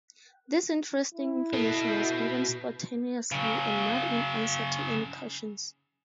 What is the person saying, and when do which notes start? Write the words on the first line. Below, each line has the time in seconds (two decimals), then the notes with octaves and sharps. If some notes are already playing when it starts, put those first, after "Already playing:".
This interesting information was given spontaneously and not in answer to any questions.
1.14 E4
1.53 B2 A4
1.89 G6 C7
3.32 C#3 F#3